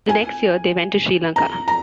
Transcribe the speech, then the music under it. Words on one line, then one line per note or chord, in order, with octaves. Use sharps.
The next year they went to Sri Lanka.
G#5
A#5
A#5